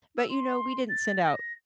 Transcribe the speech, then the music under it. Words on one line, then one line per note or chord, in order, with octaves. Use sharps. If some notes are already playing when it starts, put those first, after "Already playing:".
but, you know, we didn't send out
E6
C6
A6
A#6